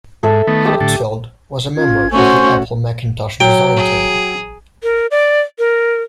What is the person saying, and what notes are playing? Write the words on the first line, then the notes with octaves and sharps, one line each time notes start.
Hertzfeld was a member of the Apple Macintosh design team.
G#2 A4 E5 A5
D#3 A3 B3
G4
A2 D3 A4
C#4 F4 G#6
A3 C#4 F#4 C5 G#5 C#6
F#3 G5
G#4
A#4
D5
A#4